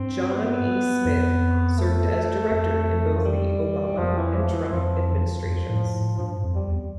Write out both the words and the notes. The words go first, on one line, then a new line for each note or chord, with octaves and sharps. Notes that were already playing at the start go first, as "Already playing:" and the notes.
John E. Smith served as director in both the Obama and Trump administrations.
Already playing: G2 C4
B3
F2
A3
F2
F3
G3
F2 F3
E3
F3
E3
F2 F3
F2
A2
A2
G2 F3
F2
G3
E2